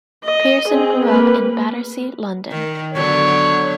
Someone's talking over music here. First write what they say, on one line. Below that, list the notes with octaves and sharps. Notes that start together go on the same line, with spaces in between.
Pearson grew up in Battersea, London.
D#5
C4 G#4
A#3 B4
D#3
D3 F#3 B3 C#5